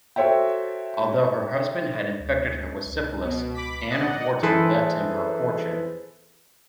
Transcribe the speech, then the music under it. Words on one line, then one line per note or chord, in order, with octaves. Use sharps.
Although her husband had infected her with syphilis, Anne Wharton left him her fortune.
F#4 A4 C5 C#5 E5 G5
D2
C#2
B2
B5 D6 B6
D5 D#5 F#5
E3 E4 G#4 A4 B4 C5